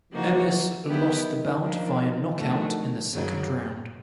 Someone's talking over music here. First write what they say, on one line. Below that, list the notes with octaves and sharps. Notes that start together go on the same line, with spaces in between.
Ellis lost the bout via knockout in the second round.
C#3 E3 F3 A#3 D#4 F#4
D#3 F#3 B3 E4 G4
F3 A#3 D4
F3 A3 D4 F#4
F#2 C#3 F#3 A#3